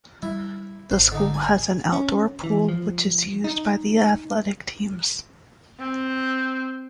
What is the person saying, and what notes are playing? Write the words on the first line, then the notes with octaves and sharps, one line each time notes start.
The school has an outdoor pool which is used by the athletic teams.
G3 E4
G#1 C5
D3 D#4
G#5
C#4
E3
F3
D#4
C4